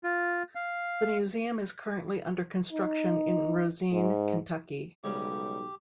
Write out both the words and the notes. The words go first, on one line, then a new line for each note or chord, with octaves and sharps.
The museum is currently under construction in Rosine, Kentucky.
F4
F5
D#4
G#2
B1 G#2 C#3 G3 G4